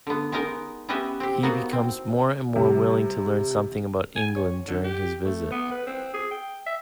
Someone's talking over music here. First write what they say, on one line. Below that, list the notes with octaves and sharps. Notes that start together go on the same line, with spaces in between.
He becomes more and more willing to learn something about England during his visit.
D3 B3
G#3 B3 D#4 A#4 D#5
B3 C#4 G4 B4 D#5 E5
C4 G4
A#3 B3 D#4 F#4
C4
C3 G3
G#5
C#5
D3
G4
A3
B3
B4
C4
G#4
G5
E5